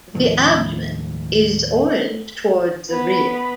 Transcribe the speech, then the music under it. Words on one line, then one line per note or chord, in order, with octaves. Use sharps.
The abdomen is orange towards the rear.
D#2 A2 F3
B3 B5